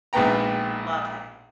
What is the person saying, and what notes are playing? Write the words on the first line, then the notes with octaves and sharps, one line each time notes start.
Love it.
A#1 G#2 B2 B3 G5 A#5